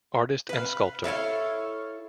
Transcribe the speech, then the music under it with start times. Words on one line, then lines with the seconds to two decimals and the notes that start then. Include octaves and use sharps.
Artist and sculptor.
0.49 B4 F5
1.04 E4 A4 C#5 F5